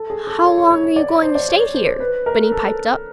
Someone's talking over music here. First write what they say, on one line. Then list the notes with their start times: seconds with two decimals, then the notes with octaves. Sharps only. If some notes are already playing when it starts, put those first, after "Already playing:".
"How long you going to stay here?" Benny piped up.
Already playing: A4
0.10 G#4
0.27 A4
0.45 C#5
0.58 C#5
0.70 C#5
0.84 C#5
0.96 D5
1.10 C#5
1.22 C5
1.35 D5
1.49 C#5
1.74 C5
2.00 B4
2.26 A#4
2.52 A4